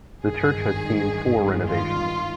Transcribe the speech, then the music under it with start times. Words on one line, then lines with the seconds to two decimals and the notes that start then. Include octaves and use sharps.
The church has seen four renovations.
0.24 G#1 G2 D#3 G#4
1.68 F4